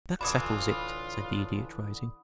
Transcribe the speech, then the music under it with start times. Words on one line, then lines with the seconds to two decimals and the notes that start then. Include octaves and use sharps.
"That settles it," said the Idiot, rising.
0.21 D1 D3 E3 D4 F4 B5 D#6